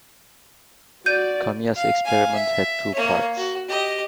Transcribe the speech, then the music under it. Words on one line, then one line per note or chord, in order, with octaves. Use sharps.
Kamiya's experiment had two parts.
F#4 D5 G6 D#7
F5
F5 G#5
E5
A#3 C#5
F#4
G4 D#5